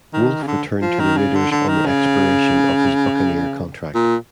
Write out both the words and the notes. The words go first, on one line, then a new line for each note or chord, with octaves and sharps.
Wolf returned to the Raiders on the expiration of his Buccaneer contract.
D#3
C#3
D3
F3
D#3
C#3
D3
D3
D#3
C#3
A#2